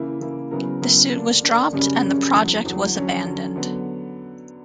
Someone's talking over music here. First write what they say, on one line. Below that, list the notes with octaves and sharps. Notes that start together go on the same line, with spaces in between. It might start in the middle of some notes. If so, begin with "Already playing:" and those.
The suit was dropped and the project was abandoned.
Already playing: C#3 E3 A#3 E4
C#3 E3 A#3 E4
C#3 F#3 B3 E4 A#4
C#3 F#3 B3 E4 A#4
D3 A#3 D4
D3 A#3 D4
F#2 C#3 G3 C#4
F#2 C#3 G3 C#4
E2 D3 F#3
E2 D3 F#3
D3 F#3 C#4
D3 F#3 C#4
D3 F#3 B3